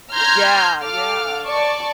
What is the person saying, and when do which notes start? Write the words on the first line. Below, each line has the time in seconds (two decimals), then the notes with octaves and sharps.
yeah, yeah, but
0.13 A#5 C6 F6 G6 G#6 A#6
0.83 A4 F5 D6 F6
1.45 D5 A5 C#6